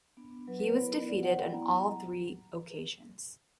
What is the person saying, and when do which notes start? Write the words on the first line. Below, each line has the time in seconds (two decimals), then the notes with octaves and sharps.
He was defeated on all three occasions.
0.17 B3 D4
0.47 F#3 B4
0.59 B4
0.67 C#5
0.77 B3 E4
0.87 A#4
1.07 F#3 D5
1.23 F#5
1.38 B3 E4 G5
1.54 A#5
1.68 F#3